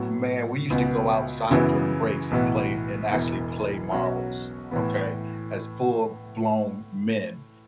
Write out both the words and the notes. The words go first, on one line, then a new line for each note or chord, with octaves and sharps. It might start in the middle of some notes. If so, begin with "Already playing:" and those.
man, we used to go outside during breaks and play and actually play marbles, okay, as full blown men,
Already playing: A2 F#3 B3
C#2 B2 B3
F#2 C#3 E3 B3 E4
B1 A2 E3 B3
E1 E2 E3
B1 B2 F#3 C#4 F#4
A2 E3 B3